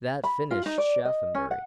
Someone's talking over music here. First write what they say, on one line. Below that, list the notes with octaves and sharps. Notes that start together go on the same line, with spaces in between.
That finished Shaphambury.
B5
F4
D#4
D5
D#5
C#4
F#5